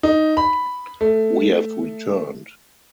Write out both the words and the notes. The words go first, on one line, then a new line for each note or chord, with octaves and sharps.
We have returned.
D#4
B5
A3